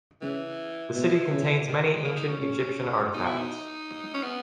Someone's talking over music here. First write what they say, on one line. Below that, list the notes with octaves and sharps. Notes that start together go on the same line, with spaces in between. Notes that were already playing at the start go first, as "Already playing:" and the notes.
The city contains many ancient Egyptian artifacts.
C#3 E3
B2 E3
C#3
D#3
E3
G#3
A#3
D#4
C#4
C#3 C#4
B2 D#4
E4
D#4
C#4
B3